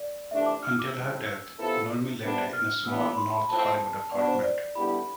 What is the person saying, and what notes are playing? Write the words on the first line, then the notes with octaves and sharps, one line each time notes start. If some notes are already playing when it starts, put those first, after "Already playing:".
Until her death, Nurmi lived in a small North Hollywood apartment.
Already playing: D5
C3 E3 A3 D4 G4 E5
D6
F6
E6
D6
E6
A2 G3 C4
E6
C3 F3 B3 E4 A4
C3 G3 B3 D4
F6
G2 E3 B3 E6
D6
B5
C6
B5
A2 F3 C4 A5
B2 B3 D4 D5
C5
D5
D3 G3 B3 E4 G4 B5